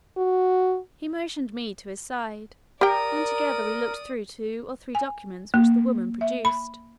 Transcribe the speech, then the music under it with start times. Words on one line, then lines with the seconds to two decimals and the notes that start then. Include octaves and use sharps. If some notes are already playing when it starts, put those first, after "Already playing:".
He motioned me to his side, and together we looked through two or three documents which the woman produced.
0.18 F#4
2.81 G4 A#4 D5 G5 D#6
4.95 G#5
5.54 A#3
6.21 E5
6.45 B5